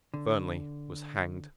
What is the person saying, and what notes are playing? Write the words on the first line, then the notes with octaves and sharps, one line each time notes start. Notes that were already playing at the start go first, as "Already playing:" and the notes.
Fernley was hanged.
D3